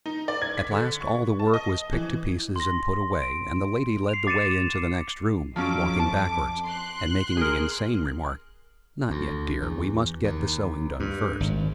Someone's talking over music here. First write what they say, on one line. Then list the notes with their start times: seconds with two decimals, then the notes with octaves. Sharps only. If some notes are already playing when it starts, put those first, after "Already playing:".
At last all the work was picked to pieces and put away, and the lady led the way into the next room, walking backwards, and making the insane remark "Not yet, dear: we must get the sewing done first."
0.06 D#4
0.28 D5
0.42 G#6
0.57 B6
0.71 D3
1.01 C#6
1.39 A5
1.54 D#5
1.93 E3
2.56 C6 A#6
3.22 D7
4.09 C7 F7
4.27 D6 A6 C7 C#7 D#7 E7
5.56 F2 F3 F#3 C#4 D6
5.99 A5
6.66 C6 F#6
7.37 G#4 A#4
9.10 D2
9.62 E2
10.24 D#2
11.00 G2
11.40 G#1